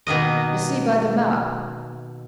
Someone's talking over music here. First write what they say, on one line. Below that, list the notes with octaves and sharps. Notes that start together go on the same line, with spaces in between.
You see by the map.
B2 D#3 A#3 D#5